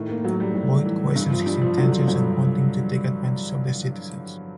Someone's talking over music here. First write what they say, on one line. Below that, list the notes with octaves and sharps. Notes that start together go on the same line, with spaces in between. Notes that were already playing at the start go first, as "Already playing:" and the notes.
Boyd questions his intentions and wanting to take advantage of the citizens.
Already playing: A2 D#3
A#3
A2 F#3
G3
A2
E3
G2
F3
G2 G3
F3
D3 F#3
F3
G2 F#3